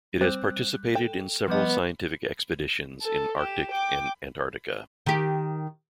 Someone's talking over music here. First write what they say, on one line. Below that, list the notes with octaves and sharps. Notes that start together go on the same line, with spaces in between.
It has participated in several scientific expeditions in Arctic and Antarctica.
G3 C4 F#6
A4 G5
F3 G3 B3 D#5
A4
G4 E7
G5 D6
D#3 G4